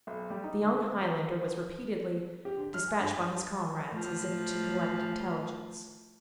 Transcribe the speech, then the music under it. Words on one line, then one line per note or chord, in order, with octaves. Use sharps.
The young Highlander was repeatedly despatched by his comrades as if to collect intelligence.
B1
G3
D#4
D3
E5
F#3
G4
D3
F6
G#5
G2
A2 F3